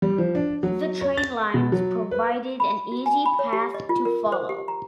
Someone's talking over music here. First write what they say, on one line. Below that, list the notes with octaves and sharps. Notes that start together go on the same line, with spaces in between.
The train lines provided an easy path to follow.
G3
F3
D4
F#3
C#5
A6
B2
F#3
B4
B5
F#4
G#5
B5
C#5
G4
D#5
F4
A#4
C5
G4
A#5